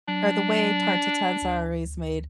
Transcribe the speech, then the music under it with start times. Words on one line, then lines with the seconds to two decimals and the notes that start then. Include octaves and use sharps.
or the way tarte tatin's are always made
0.08 F#3 D4
1.42 D2